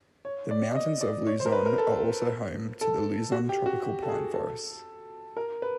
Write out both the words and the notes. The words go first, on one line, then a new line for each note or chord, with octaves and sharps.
The mountains of Luzon are also home to the Luzon tropical pine forests.
C#5
D5
D#5
D5
C#5
C5
A#4
B4
A#4
A4
A4
F#4
G4
F#4
G4
A4
G#4
A4
A#4
B4